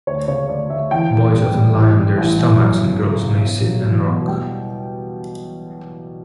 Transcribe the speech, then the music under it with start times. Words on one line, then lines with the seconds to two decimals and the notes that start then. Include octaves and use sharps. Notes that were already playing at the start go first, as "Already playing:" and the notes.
Boys often lie on their stomachs and girls may sit and rock.
0.07 D2 C#5
0.28 C#3 C#5
0.49 D2 D5
0.70 D2 E5
0.91 E2 G5
1.12 E2
1.33 G3
1.54 G3
1.75 E3
1.96 G3
2.18 A1
2.38 E3
2.59 F#2
2.80 C#3
3.01 C#3
3.23 C#3
3.43 B2
3.65 F#3
3.86 E2
4.06 B2
4.28 G3 G5